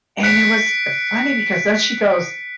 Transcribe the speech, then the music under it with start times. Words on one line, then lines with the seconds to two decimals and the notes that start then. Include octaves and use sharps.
And it was funny because then she goes,
0.23 F#6 B6 C#7 D7